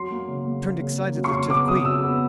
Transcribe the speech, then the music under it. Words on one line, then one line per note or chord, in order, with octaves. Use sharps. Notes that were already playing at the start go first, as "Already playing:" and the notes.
He turned excitedly to the Queen.
Already playing: F#3 C6
A#3
C#3
A#3
A#3
C#3
A#3
F#3
C#6
C#3 C6
B3 D6
C#3 D#6
F#3 E6
B3